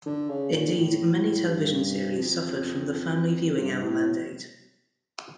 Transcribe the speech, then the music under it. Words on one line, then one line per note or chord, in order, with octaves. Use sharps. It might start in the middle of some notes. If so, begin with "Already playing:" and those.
Indeed, many television series suffered from the Family Viewing Hour mandate.
D3
C#3
A#2
A2
G2
F2
G2
A2